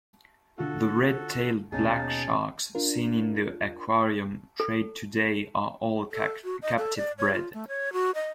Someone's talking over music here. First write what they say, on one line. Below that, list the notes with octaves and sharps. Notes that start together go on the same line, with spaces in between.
The red-tailed black sharks seen in the aquarium trade today are all captive bred.
D3 F4 F#4 A4
D#2 B2 C#4 D#4 G#4 A5
D4 F4 A#4
A4
A4
F#4
D#5
A4
D5
C#5
F4
A3
C#5
F#4
D#5